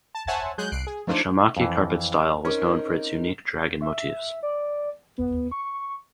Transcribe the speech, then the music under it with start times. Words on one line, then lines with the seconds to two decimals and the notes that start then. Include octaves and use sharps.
The Shamakhi carpet style was known for its unique dragon motifs.
0.15 A5
0.27 C5 C#5 E5 F#5 G#5 A5
0.58 F#3 G#3 G#4 F#6 G6
0.72 C2 F#6 C7 D7
0.87 G#4
1.07 F3 A3 D4 D#4 F4 C5
1.57 F2 E3
2.45 C4 C#4 D#4 A#4
3.81 E5
4.43 D5
5.18 B3
5.51 C#6